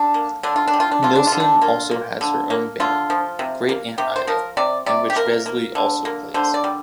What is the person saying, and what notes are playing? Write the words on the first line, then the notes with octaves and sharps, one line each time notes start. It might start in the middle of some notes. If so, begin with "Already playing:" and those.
Nilsen also has her own band, Great Aunt Ida, in which Vesely also plays.
Already playing: D3 D4
A#3
D3 D4
F4
D4
G3
F4
D4
D3 F4
D4
F4
D3
D4
A#3 F4
A#3
D3
A#3
D3 F4
F3
C3
A#3
C3 G4
C5
F3 A#4
C3 D5
C3 D5
G4
A#3 A#4
A#3
D3
A#3
D3 C5
D5
G3